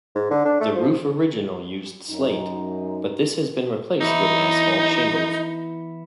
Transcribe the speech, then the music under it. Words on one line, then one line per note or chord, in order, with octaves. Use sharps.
The roof original used slate, but this has been replaced with asphalt shingles.
G#2
D3
D4
A3
F3
F#2 D#4
E3 B3 D#4 E4